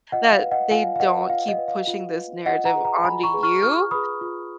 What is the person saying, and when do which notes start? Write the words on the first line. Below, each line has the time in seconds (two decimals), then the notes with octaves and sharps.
that they don't keep pushing this narrative onto you
0.12 F4 D#5 F#5
0.32 F5
0.42 B4
0.51 D#5 F#5
0.71 F4 F5 G#5
0.96 F5
1.00 B4 D#5 F#5
1.29 F4 F5
1.48 D#5
1.58 B4
1.68 F5
1.87 F4
2.17 B4
2.46 F4 D#5 F#5
2.65 F#5 A#5
2.74 G#4 B4
2.85 F#5 A#5
3.04 F4 G#5 B5
3.23 A#5 C#6
3.34 G#4 B4
3.43 C#6 F6
3.63 F4 C#6 F6
3.91 G#4 B4 B5 D#6
4.21 F4